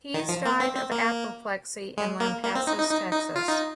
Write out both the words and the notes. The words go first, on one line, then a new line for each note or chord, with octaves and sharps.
Pease died of apoplexy in Lampasas, Texas.
D#3
F3
A#3
C4
C4
A#3
G#3
A#3
A#3
C4
D#4
D#4
D#4
D#4
F4
D#4